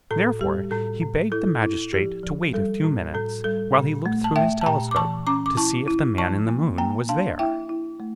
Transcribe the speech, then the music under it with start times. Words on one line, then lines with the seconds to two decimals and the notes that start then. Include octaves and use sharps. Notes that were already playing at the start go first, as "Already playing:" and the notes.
Therefore he begged the magistrate to wait a few minutes while he looked through his telescope to see if the Man in the Moon was there.
0.11 A2 A4
0.41 G3 G4
0.71 A2 A4
1.01 A2
1.32 E4 A4
1.62 E4
1.93 F3 G4
2.23 F3
2.53 G3 A4
2.84 A2
3.14 A2 A4
3.44 G3 A4
3.75 A#2
4.06 A3
4.24 A5
4.36 A3 E5 G5
4.61 A5
4.66 A#2 G5 A#5
4.91 D6
4.96 E3 A5 C#6
5.27 C#4 A#5 D6
5.46 D6
5.57 E4 A5 C#6
5.88 E4
6.18 F3 A5 C#6
6.48 A#3
6.78 A#3 G5 A#5
7.09 D4 F5 A5
7.39 E4 E5 G5
7.69 E4
8.00 A3